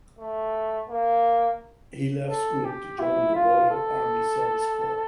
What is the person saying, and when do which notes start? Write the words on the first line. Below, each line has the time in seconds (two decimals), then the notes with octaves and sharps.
He left school to join the Royal Army Service Corps.
0.19 A3
0.89 A#3
2.30 A4
2.65 G4
3.00 E4
3.35 F4
3.71 A4